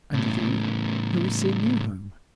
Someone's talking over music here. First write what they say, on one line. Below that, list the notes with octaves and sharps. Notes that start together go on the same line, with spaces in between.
"And you, who is seeing you home?"
A2 C#3